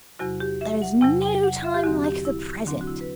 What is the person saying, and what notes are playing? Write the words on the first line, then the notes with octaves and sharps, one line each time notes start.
There is no time like the present.
E2 C3 F#3 F#4
G4
E5
F#5
E2 C3 F#3 G5
G5
F#5
E5
G4
E2 D3 F#3 C4 F#4
G4
E4
E2 D3 F#3 C4 D4
F#4
E4
B4